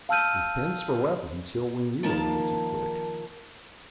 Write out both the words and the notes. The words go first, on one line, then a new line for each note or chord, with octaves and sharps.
"With pens for weapons he will wing you a little too quick."
F5 A5 E6 F6 G6 D#7
D#3 F3 A#3 A5